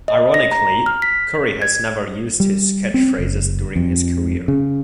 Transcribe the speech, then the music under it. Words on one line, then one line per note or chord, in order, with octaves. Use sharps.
Ironically, Curry has never used catchphrases during his career.
D#5
A#6
A#5
F6
B6
G#6
G3
C4
F#1
F2
C#3